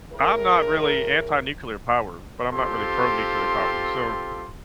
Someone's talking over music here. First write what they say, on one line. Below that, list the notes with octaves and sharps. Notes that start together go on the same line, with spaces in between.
I'm not really anti-nuclear power, but I'm not really pro-nuclear power, so
A2 G#4 A#4
C4 F4 G4 A4 C6